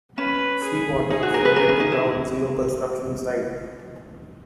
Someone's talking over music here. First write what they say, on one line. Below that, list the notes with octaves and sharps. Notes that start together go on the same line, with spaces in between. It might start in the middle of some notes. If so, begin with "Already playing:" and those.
Sea water flooded the Ground Zero construction site.
C#4 B4
G#4
D#4 G#4
F#4
A#4
B4
A#4
C#4
D#4
E4